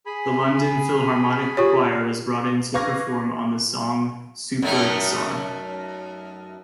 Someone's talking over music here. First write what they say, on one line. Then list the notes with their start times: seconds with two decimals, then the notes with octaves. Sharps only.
The London Philharmonic Choir was brought in to perform on the song "Supertzar".
0.06 G#4 G#5 B5
1.57 F4 G4 C#5
2.74 B4 F5 C#6 D6 G#6 A#6
4.62 F#2 A3 D#4